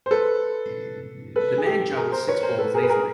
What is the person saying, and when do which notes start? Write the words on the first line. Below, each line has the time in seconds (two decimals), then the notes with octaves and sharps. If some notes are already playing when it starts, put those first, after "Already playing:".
The man juggles six balls easily.
0.06 C5
0.11 A4 B4
1.36 A4 B4
1.58 G#4
1.66 G4 A4
1.97 G#4 A#4
2.12 A#4 C5
2.28 B4 C#5
2.43 A#4 C5
2.59 A4 B4
2.74 G#4 A#4
2.83 B4
2.89 G#4 A#4